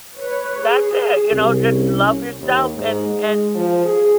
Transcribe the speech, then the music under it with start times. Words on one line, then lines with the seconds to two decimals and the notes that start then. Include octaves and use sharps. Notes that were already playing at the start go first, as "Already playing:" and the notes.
that's it, you know, just love yourself and and
0.18 B4 C#5
0.60 G#4
1.31 C2
1.65 C#4
2.39 D#2
2.74 G#2
3.06 G#3
3.55 F3
3.85 G#4